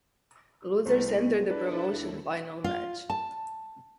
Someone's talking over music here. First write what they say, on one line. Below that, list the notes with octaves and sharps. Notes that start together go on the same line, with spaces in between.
Losers enter the promotion final match.
C2 A3 C5
D4 E4 A4 B4 D5
D#2
F4
A5